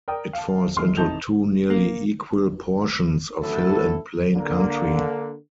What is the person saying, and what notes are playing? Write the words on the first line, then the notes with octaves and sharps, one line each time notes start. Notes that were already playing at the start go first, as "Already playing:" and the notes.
It falls into two nearly equal portions of hill and plain country.
A#4 D5 G5 D#6
F5 A5
E1 A1 C6 F6
A1 C3 D#4 A5 G6 F7
A#3
A1 D2 F#3 E4 A4
D3 A#3